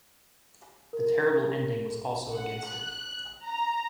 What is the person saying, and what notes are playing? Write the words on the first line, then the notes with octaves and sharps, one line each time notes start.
The terrible ending was also against it.
A#4
F#5
F#6
A#5